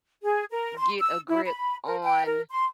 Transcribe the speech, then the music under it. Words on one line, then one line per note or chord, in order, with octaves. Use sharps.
get a grip on
G#4
A#4
C6
E6
E4
B5
A#4
G5
A#4
C6